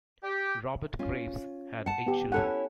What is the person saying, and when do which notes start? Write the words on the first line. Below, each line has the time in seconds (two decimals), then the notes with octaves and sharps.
Robert Graves had eight children.
0.23 G4
0.99 C#4 F4
1.86 F#5 A5
2.07 B3 G4
2.32 C#4 E4 A4 C#5 F#5